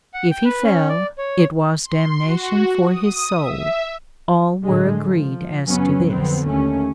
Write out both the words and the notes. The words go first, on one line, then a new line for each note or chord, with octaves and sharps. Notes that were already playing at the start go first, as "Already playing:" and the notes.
If he fell, it was damnation for his soul--all were agreed as to this.
F#5
G5
B4
C#4
D5
C#5
C6
F#4
D#6
E5
A2 D3 G#3
F3
F#2 C#3 F#3 B3 C#4
F2 D3 B3 C4
D#2 A3 C#4